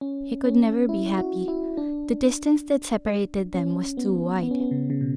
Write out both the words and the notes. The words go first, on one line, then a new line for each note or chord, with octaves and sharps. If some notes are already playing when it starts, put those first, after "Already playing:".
He could never be happy; the distance that separated them was too wide!
C#4
C#4
E4
F#4
E4
D4
C#4
B3
B3
C#4
B3
C#3
C#3
B2